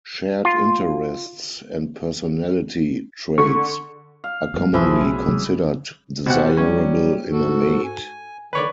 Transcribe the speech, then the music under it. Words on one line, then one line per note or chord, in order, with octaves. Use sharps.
Shared interests and personality traits are commonly considered desirable in a mate.
F4
D3 C#6
F5
E2 G2
B1 E3 F3 E4 G#4
B1 B2 C#4
C3 F#3 G#3
B2 G4 C5 F#5
F#3 G3 C#4 G4
G#2 F#4 A4
G#5
D3 D#3 B4 C#5 D5